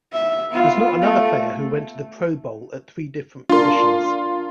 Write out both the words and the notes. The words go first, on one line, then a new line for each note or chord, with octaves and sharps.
There's not another player who went to the Pro Bowl at three different positions.
E5
B3 F4
A3
D4 F4 A#4 C6